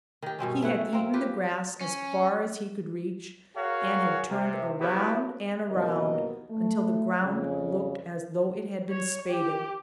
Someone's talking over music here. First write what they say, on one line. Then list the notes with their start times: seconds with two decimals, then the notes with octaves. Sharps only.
He had eaten the grass as far as he could reach, and had turned around and around until the ground looked as though it had been spaded.
0.22 D#3 G4
0.39 G2 B2 C4 C#4
0.62 A3 E4 F#5
0.93 A#3 C4
1.13 F4 G4 B4
1.81 C#4
3.56 F#4 G#4 A#4 C#5 F5
4.30 C3
4.80 B3 E4 F#4 G4 C#5
5.70 F#1 D#2 B2 A#3 A#4 D#5
6.49 A3
7.23 F2 C#3
8.89 C#5
9.30 G4